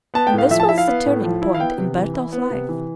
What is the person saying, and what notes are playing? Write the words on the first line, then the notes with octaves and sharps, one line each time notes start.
And this was the turning-point in Bertel's life.
B3 A5
G5
A2
F5
F3 E5
A5
E4 E5
F5
B3
A2
F3
E4
F5
B3 G5
C3
E3
E4
B3
C3
E3